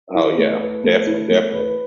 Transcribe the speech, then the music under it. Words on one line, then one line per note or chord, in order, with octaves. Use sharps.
Oh, yeah, defin definitely.
E4
A3
B4
A3
E4
A3
B4